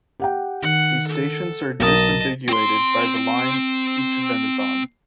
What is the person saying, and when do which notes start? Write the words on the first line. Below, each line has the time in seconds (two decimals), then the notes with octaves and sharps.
These stations are disambiguated by the line each of them is on.
0.20 G4 F#5 G5
0.62 D#3 F#5
1.07 A4
1.80 B1 A#4 D#5 A5 D#6
2.49 C4 C6